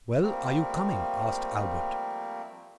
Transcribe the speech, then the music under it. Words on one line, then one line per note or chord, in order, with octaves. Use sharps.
"Well, are you coming?" asked Albert.
F3 G3 A3 A#3 C4